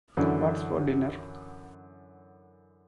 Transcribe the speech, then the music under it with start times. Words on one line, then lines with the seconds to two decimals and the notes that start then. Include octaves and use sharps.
What's for Dinner?
0.17 F#2 D3 E3